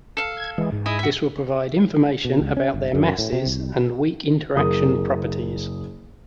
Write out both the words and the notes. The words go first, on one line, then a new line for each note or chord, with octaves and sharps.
This will provide information about their masses and weak interaction properties.
A4 F5
G#6
E3 G#3
G#2
E4 G#4 D#5
F#4 E5
B2
C#2
C#4
G1
F#2
A2
C3
C2
F#1 G#4 A#4 D#6